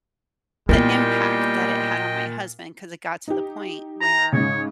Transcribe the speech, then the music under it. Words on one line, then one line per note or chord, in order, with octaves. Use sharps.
the impact that it had on my husband 'cause it got to the point where
A#2 G3 B3 E4 D#5 G5
D#4 G4
A#5
G#2 C#3 C#5